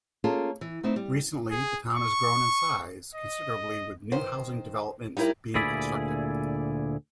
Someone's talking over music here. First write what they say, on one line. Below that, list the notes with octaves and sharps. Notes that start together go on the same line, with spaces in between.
Recently, the town has grown in size considerably with new housing developments being constructed.
A#3 C#4 F4 G#4 A4
E3
A3 B3 C4 D#4 E4
G3
G#4
C#6
D#5
D#3 C5
G3 D#4 E4 A#4
D2 A#2 E4 G#4 D5 B5